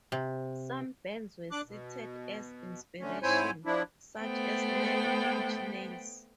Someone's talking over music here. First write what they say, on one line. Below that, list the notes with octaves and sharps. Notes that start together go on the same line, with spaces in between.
Some bands were cited as inspiration, such as Nine Inch Nails.
C3
D4 D6 F#6
B2
D3 A3 C#4
G#2 C4 E4 C5 C#5 G#5
F3 D4 E4
A3 B3 C5 G5